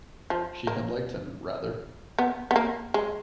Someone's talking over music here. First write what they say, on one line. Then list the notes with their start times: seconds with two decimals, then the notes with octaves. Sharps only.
She had liked him — rather.
0.30 F3
0.67 A#3
2.19 B3
2.51 B3
2.56 A#3
2.94 G#3